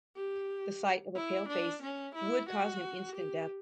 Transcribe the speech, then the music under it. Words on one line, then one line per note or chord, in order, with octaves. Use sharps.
The sight of a pale face would cause him instant death.
G4
E4
D4
C#4
E4
F#4
G4